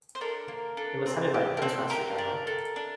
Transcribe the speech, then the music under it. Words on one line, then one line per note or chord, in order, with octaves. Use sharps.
It was headed by the Postmaster General.
C5
D4 A4 A#4
A#3
D4 A4
C4
G4
A#4
C4 A4
G4 A#4
D4
A4
D4